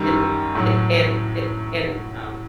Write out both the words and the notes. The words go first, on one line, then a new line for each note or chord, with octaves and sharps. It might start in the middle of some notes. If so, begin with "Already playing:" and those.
and a and a and, um
Already playing: F#2 D#3 G3
A2 F#3